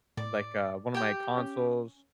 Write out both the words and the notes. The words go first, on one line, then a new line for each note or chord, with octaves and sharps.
like, uh, one of my consoles,
A2 D5
G4 G5
C#4